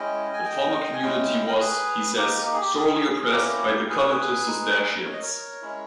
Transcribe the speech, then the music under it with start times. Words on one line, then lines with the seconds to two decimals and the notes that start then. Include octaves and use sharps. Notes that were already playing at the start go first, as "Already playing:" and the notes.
The former community was, he says, sorely oppressed by the covetous Cistercians.
Already playing: G#3 C#4 E4 D#5 G5
0.34 G#5
0.45 D#5 G5
0.93 G#5
1.02 G#3 C#4 E4 D#5 G5
1.49 A#4
1.60 G#4 B4
2.17 A#3 D#4 G4 A#4
2.46 G4
2.54 G#4
2.61 G4
2.75 G#4
3.23 G#4
3.32 A#3 C#4 E4 G4 A#4
3.89 G#4 B4
4.47 G#3 D#4
5.05 C#5
5.13 D#5
5.22 A#4 C#5
5.62 G#3 C#4 E4